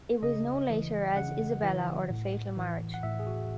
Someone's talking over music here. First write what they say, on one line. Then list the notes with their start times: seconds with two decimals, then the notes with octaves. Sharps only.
It was known later as "Isabella, or The Fatal Marriage".
0.22 C#3 D#5
0.70 E3
1.16 C#3 F#5
1.63 E3
2.10 A2
2.57 E3
2.94 F#5
3.03 A2 E5
3.19 G#4
3.27 F#4